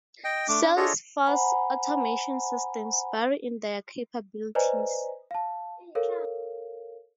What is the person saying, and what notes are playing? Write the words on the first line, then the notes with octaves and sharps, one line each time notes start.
Sales-force automation systems vary in their capablities.
D#5 G5
A3 D4 D6
D4
D4 F4 G#4 A4 C#5 D#5
C5 F#5 G#5 A#5 B5
B4 C5 D5 D#5 G#5 A#5
F5 A5
A4 A#4 C#5 F5